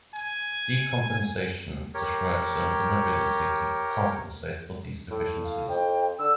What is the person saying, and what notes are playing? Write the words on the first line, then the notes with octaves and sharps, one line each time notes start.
Decompensation describes an inability to compensate for these deficiencies.
G#5
G4 A#4 C#5
A2
F5
F2 G5
D3 E6